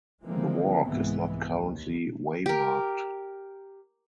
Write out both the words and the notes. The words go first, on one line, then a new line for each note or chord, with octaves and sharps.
The walk is not currently waymarked.
D3 E3 F3 G#3 A#3 C4
C2 G#2 E3 G#3 B3
D#2
G4 A#4